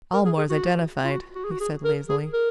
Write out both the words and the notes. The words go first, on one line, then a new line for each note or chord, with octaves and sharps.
"Aylmore's identified," he said lazily.
A#4
G#4
G#4
F#4
F4
F#4
F#4
G#4
F#4
G#4
A#4
G#4
A#4